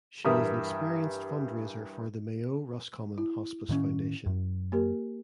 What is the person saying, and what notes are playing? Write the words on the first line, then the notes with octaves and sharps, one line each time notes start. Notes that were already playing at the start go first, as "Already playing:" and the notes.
She is an experienced fundraiser for the Mayo Roscommon Hospice Foundation.
G2 E3 A#4 E5 D#6
E4
A2 D#3 C#4
F#2
A#3 G4 A#4